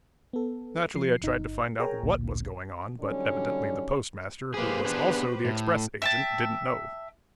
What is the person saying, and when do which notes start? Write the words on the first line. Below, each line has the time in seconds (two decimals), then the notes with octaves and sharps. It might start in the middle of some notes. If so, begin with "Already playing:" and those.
Naturally I tried to find out what was going on but evidently the Postmaster, who was also the express agent, didn't know.
0.33 B3 A4
0.94 F3 C7
1.23 G1 D#4
1.80 G#4 A#4 C#5 G5 G#5 A#5
2.03 A1 D2 A#2
3.00 D3 F#3 G3 C#4 D#4
4.54 A#3 G4 G#4 B4 C5
4.85 B3 D4 G#4
5.45 A2
6.02 E5 G5 A5